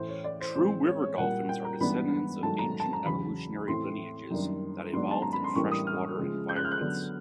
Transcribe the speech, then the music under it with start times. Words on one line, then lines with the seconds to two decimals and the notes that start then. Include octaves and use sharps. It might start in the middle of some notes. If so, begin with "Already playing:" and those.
'True' river dolphins are descendants of ancient evolutionary lineages that evolved in freshwater environments.
Already playing: A2 E3 A3 C5
0.09 C#5
0.24 D5
0.40 C5
0.55 A2 E3 G#3 C4 C5
0.87 C#5
1.02 C#5
1.18 A#2 G3 A#3 F#5
1.49 G5
1.65 A#5
1.80 G#2 E3 G3 B3 D4 B5
2.43 G#2 D#3 F#3 A3 A5
2.59 A#5
2.80 A5
2.93 A#5
3.05 E2 C#3 F#3 B5
3.68 A2 E3 A3 C4 C6
4.31 F#2 D#3 G3 A#3 D4
4.93 G#2 D#3 F#3 B3 D4 C6
5.11 A5
5.22 A#5
5.33 B5
5.44 C6
5.55 A2 E3 G3 A#3 D4 C#6
5.72 D#6
5.87 F6
6.18 C#3 F3 G#3
6.49 G6
6.56 F#6
6.65 F6
6.72 F#6
6.81 D3 F#3 B3 D4